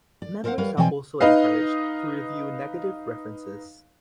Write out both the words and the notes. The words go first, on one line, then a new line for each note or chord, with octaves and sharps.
Members are also encouraged to review negative references.
D5
A4 A#4 C5 D#5 F5 F#5
G3 A#4 B4 C#5 F5
B2 E3 C4 D5 G5 G#5
D#4 B4 D#5 F5